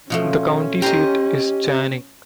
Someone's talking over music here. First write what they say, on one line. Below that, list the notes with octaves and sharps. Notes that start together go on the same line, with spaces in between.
The county seat is Channing.
B2 F3 A3 C#4
G4 C5 D#5 A#5